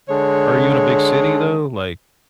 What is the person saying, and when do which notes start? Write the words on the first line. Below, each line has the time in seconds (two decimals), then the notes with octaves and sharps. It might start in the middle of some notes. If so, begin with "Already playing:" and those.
Are you in a big city though, like
0.09 D3 G#3 C#5